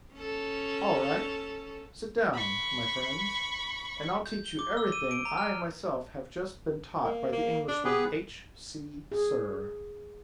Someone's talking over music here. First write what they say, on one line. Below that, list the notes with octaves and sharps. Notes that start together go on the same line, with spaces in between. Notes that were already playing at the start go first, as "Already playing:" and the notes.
"All right, sit down, my friends, and I'll teach you everything I myself have just been taught by the Englishman H. C. Sirr!"
C#4 A4
B5 C#6
G6
G7
D6
E6
D#7
D7
A#5
F6
A#3
A#3
D4
B3 G4 G#4 B4
G#4